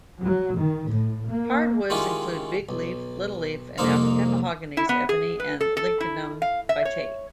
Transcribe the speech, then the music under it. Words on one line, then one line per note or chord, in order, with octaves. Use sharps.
Hardwoods include big-leaf, little-leaf, and African mahoganies, ebony and lignum vitae.
F#3
D#3
A2
A#3
D#3 G#3 C#4 E4 F4 G4
B1
C2 F2 A#3 D#4 C5 F5
E4
B3
G#4
B4
A4
A4
E4
F5
E5
C#5